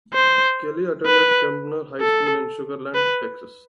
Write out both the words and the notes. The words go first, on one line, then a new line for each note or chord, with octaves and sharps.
Kelley attended Kempner High School in Sugar Land, Texas.
C5
B4
A4
B4